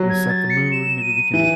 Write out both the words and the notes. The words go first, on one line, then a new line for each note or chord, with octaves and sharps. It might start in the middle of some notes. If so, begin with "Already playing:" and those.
you know, set the mood. Maybe we can
Already playing: F#3
G#6
A6
C#7
E7
D#7
E3 D#7